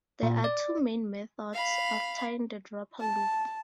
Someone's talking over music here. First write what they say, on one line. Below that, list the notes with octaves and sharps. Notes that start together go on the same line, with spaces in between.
There are two main methods of tying the dropper loop.
A#2
D5
F5 B5
A5